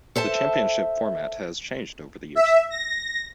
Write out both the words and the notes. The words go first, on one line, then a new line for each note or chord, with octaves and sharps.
The championship format has changed over the years.
A4 C5 E5 A5
E5
A#6